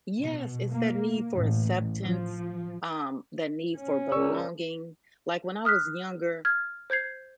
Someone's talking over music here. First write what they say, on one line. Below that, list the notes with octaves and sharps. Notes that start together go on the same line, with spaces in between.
Yes, it's that need for acceptance, um, that need for belonging. Like, when I was younger,
B2
A#3
A1
F3
C#4
C#2 A#4 D5 C#6 E6
D#6 F6 F#6 B6
F6 G#6
C5 G6 G#6 C7